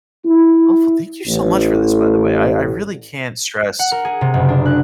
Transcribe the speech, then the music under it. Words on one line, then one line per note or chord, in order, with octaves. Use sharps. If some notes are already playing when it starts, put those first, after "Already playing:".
helpful, thank you so much for this, by the way. I I really can't stress,
E4
A1
F#5
A#4
G#4
C3
F#1
D4
F#6